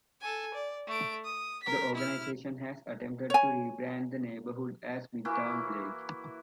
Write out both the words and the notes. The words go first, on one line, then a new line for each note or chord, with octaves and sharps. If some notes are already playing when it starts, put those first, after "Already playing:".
The organization has attempted to re-brand the neighborhood as Midtown Village.
A4 G#5
D5
A3 D7
D#6
A#4 B6
E4 F6
C#5 G#5
E3 A#3 E4 F#4